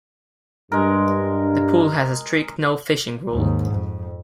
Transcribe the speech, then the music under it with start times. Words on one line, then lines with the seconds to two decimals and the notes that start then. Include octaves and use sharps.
The pool has a strict no fishing rule.
0.72 G2 G#3 A#4
3.31 D#2 G#2
3.71 F2